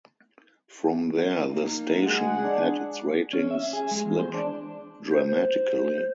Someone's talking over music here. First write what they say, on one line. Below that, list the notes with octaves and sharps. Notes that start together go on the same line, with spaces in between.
From there, the station had its ratings slip dramatically.
A#3 D#4
G#3 G#4 F#5
D4
C#4
E5
G#4
G#3
E2
C5
D4
C5